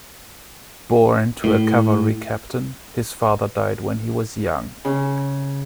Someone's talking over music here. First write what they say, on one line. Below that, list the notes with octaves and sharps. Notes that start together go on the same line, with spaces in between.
Born to a cavalry captain, his father died when he was young.
A2
C#3